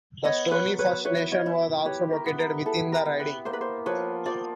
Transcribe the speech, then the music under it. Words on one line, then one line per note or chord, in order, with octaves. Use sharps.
The Stoney First Nation was also located within the riding.
B3 C#5 D#5
B4 C#5
F#3
B4 C#5
E4 B4 C#5
C#5 D#5
E4
G4 B4 C#5
A#4
B3 B4
A#4
E4 A4
A#4
B3
B4
A#3 C5
B4
C5
F3 B4 C#5
F3 C5 D5